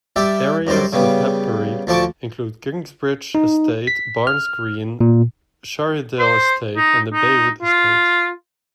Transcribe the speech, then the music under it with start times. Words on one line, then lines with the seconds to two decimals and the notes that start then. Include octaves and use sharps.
Areas of Harpurhey include Kingsbridge Estate, Barnes Green, Shiredale Estate and Baywood Estate.
0.16 G3 G4 D5 E5
0.67 F#2 G3 C5 D5
0.93 C#3 G3 B3
1.87 D2 F3 D5 A5 C#6 D6
3.35 D#4
3.87 B6
4.27 F6
5.01 A#2
6.19 C5
6.76 D#4
7.13 D#4
7.63 F4